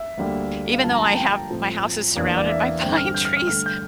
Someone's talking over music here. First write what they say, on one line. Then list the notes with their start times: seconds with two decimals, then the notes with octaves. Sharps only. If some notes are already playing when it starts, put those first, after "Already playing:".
even though I have my house is surrounded by pine trees,
Already playing: E5
0.18 D2 D3 G3 A#3 D4
0.72 F5
0.84 G2 D3 F3 A#3 A5
0.93 A#5
1.02 A5
1.17 G5
1.50 A2 F3 A3 C4
2.16 E2 E3 A#3 D4
2.37 D5
2.49 E5
2.81 G2 D3 G3 C4 G5
2.97 F6
3.14 G6
3.25 F6
3.37 F6
3.47 G2 D3 A3 F6
3.66 G6